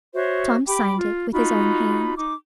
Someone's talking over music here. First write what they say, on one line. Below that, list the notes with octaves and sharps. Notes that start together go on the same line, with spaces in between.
Tom signed it with his own hand.
F#4 C5 C#5 E5
G4 G5 B5 D6
F4
D#4 F4 F#4 B5
D#4 D6